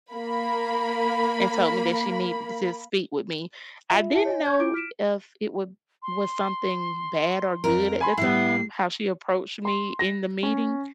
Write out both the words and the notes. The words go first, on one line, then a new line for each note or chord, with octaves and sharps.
and told me that she needed to speak with me. I didn't know if it would was something bad or good at the time, how she approached me in the meeting,
A#3 B5
F4 E5
E4 E5 A5 C#7
C#5 D#5 G#5
C#6 G6 G#6
E4 F4 D6 G6 D7
F6 B6 D7 E7
C6
F2 A#4
G#5 B5 C6
A2 G3 E4 C7
C6
A#6
C#4